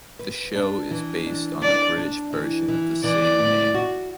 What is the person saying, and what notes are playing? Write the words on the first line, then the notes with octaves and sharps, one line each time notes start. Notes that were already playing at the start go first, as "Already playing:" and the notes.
The show is based on the British version of the same name.
B4
D4
E3
D4
D4 D5
D4
E3
E3
E3 D5
A2
F#4